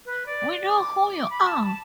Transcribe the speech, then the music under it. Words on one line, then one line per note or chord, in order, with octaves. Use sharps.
We know who you are.
B4
D5
D6
D6
B5
A5
A5